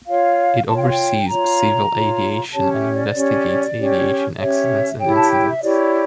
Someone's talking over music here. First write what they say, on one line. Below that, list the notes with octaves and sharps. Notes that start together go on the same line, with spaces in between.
It oversees civil aviation and investigates aviation accidents and incidents.
F4 C#5 F5
F4 C#5 G5 A5
F5
G5
F4 C#5 A#5
F4
C#5
C#4 G4 C#5 A5
E5
D5
C#4 G4 C#5
C#4 G4 C#5
C#4 G4 C#5 E5
E4 G4 C#5 G5
A5
G5
E5
E4 G4 C#5 D5